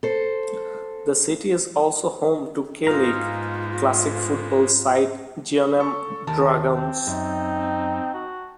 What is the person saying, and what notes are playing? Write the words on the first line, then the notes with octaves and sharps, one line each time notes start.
The city is also home to K League Classic football side Jeonnam Dragons.
A4 C5
G#2 G#3 A#3 B3 D#4 F4 F5 A#5
A4 C#6
D#2 D#3 A#4 A5
C4
F#2 D#4
F#4